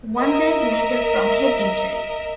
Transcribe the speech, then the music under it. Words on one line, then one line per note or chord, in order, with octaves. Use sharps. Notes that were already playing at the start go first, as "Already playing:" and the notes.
One died later from head injuries.
A#4 D#5 E5